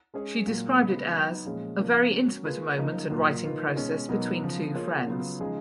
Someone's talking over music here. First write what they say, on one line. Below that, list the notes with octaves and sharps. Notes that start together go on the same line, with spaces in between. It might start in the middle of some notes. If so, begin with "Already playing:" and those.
She described it as "a very intimate moment and writing process between two friends".
G#3 C#4 G#4 C#5
A#2 F#3 A#3
C#3 G#3 B3
F#3 B3 D#4
A#2 F3 G#3 C#4 G#4
C#3 F3 A#3
A#3 C#4 F#4 A#4
A#3 F4 G#4 B4
C#3 F3 A#3 D#4
A#2 F#3 A#3 F4
D#3 A#3 F4 B4
B2 G#3 C#4
B2 F#3 B3 D#4 A#4
C#3 F3 B3
A#3 F4 G#4 C#5
C#3 F#3 B3 F4
C#3 F3 G#3 D#4 G#4